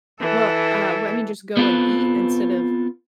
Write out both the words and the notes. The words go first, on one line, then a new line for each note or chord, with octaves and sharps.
Well, uh Well, I mean, just go and eat instead of
E3 A4
B3 C4 F4 A4 B4